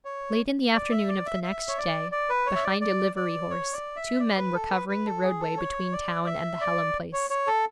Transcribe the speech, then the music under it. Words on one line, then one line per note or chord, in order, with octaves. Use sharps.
Late in the afternoon of the next day, behind a livery horse, two men were covering the roadway between town and the Hallam place.
C#5
D5
E5
D5
E5
E5
C#5
D5
D5
B4
C#5
E5
D5
D5
D5
C#5
D5
E5
D5
B4
A4
B4
B4
A4
G#4
A4
C#5
D5
E5
D5
C#5
C#5
A4